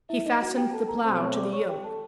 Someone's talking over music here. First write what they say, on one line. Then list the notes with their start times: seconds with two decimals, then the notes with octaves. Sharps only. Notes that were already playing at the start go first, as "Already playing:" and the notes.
He fastened the plow to the yoke.
0.09 E4 E5
0.26 D#4 D#5
0.41 F#4 F#5
0.56 G4 G5
0.73 A4 A5
0.88 A#4 A#5
1.05 B2 F#3 A3 C4 C5 C6
1.20 C#5 C#6
1.36 D5 D6
1.53 C#5 C#6
1.69 G4 G5
1.84 A4 A5